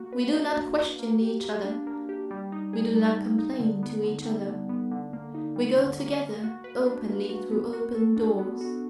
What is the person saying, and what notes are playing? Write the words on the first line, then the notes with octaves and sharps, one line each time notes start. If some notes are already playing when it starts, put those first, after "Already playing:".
We do not question each other, we do not complain to each other; we go together openly through open doors.
Already playing: A#3 F#4
B4
D4
A#3
F#4
A#3
G4
A#3
D4
A#3
G4
G3
D#4
G#4
A#3
G3
D#4
D3
B3
D3
G3
D3
B3
D3
A#3
D#4
G3
D3
A#3
A#3
F#4
B4
D4
A#3
F#4
B3
F#4
A4
D4
B3
F#4